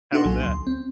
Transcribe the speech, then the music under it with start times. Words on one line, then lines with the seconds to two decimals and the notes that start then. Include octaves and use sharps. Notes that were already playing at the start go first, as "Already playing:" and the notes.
How was that?
0.12 D4 D#4 F#4 A4 F#5 C6
0.25 B1 A#2 F#3 G#5
0.43 D2 C6
0.67 C4